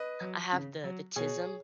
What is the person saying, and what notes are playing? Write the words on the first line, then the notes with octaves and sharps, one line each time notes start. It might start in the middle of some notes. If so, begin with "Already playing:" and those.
I have the the 'tism
Already playing: B4 D#5
F#3
C#3
F#3
B2 G#4 C#5